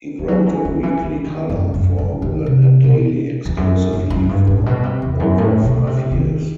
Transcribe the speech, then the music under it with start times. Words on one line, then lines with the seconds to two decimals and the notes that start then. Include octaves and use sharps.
He wrote a weekly column for WorldNetDaily exclusively for over five years.
0.19 E3
0.28 F#3
0.46 E3
0.65 D#3
0.83 E3
1.01 E3
1.25 D#3
1.49 F#2
1.74 F#2
1.98 F#2
2.22 D#3
2.46 C3
2.84 B2
3.45 E2
3.57 F#2
3.93 F#2
4.10 F#2
4.29 G2
4.47 A2
4.66 B2
4.83 C3
5.02 E2
5.20 F#2
5.38 A2
5.63 B2
5.87 C3
6.11 D#3